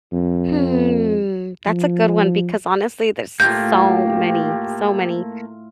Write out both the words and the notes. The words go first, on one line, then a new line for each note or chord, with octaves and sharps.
Hmm. That's a good one because, honestly, there's s so many, so many,
F2
F3
A2 A3 A#3 F4 G4 G6